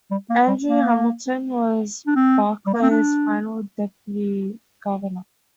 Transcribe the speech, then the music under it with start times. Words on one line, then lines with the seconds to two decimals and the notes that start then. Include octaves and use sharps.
Andrew Hamilton was Barclay's final deputy governor.
0.11 G3
0.30 A#3
0.48 G3
0.67 A#3
2.07 D4
2.16 C4
2.66 G3
2.74 A#3
2.82 C4
2.91 D4